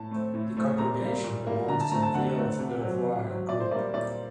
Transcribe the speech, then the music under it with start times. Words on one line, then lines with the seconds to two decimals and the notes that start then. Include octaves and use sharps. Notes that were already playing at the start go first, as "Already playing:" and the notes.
The congregation belongs to the Vale of Belvoir group.
Already playing: A2 A5
0.11 A3 C4
0.34 A2
0.57 A3 C4
0.78 A#2 A#5
1.01 G3 A#3
1.24 A#2
1.47 G3 A#3
1.68 D3 A#5
1.80 A5
1.91 A3 C4 A#5
2.02 A5
2.14 D3 F#5
2.36 A3 C4
2.59 C3
2.81 F#3 C4
3.04 C3
3.27 F#3 C4
3.49 A#2 D5
3.60 C5
3.71 G3 A#3 D5
3.94 A#2 D5